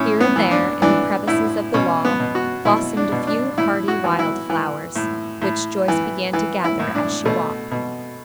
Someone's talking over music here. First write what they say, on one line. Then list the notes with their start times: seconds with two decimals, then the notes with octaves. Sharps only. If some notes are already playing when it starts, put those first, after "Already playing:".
Here and there in the crevices of the wall blossomed a few hardy wild flowers, which Joyce began to gather as she walked.
Already playing: A2 C#4
0.20 B3
0.36 E3
0.51 D4
0.82 E3 D4
1.27 A2 E4
1.74 B2 C#4
2.05 B3
2.20 B2
2.35 F#4
2.65 B2 E4
2.97 D4
3.12 B2
3.27 D4
3.58 A2 E4
3.88 F#4
4.04 E3
4.19 E4
4.50 E3
4.95 A2
5.42 A2
5.88 E3
6.33 E3
6.64 E4
6.80 A2
6.95 D4
7.25 B2 A3
7.71 B2